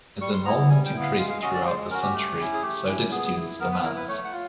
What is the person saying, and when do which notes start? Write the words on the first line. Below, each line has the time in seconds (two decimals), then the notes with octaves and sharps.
As enrollment increased throughout the century, so did students' demands.
0.21 G3 C#6
0.33 C6
0.45 B3 E4 A#5
0.69 G3 G#5
0.86 G5
0.94 B3 E4
1.02 F5
1.18 G#3 F5
1.30 F5
1.42 C#4 F#4 D#5
1.54 D5
1.66 G#3 C5
1.90 C#4 F#4 A#4
2.03 G4
2.14 A3
2.39 C#4 E4
2.54 G#4
2.62 A3 G4
2.87 C#4 E4
3.11 B3 G#4
3.35 E4
3.60 B3 A#4
3.72 B4
3.84 E4 A#4
3.96 B4
4.08 A3 C#5
4.24 F#5
4.32 F4